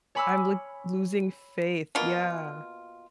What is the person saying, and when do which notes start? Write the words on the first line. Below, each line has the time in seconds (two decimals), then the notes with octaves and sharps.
I'm, like, losing faith yeah.
0.15 C#5 G#5 B5 D6 E6 F6
1.95 B2 A#3 F4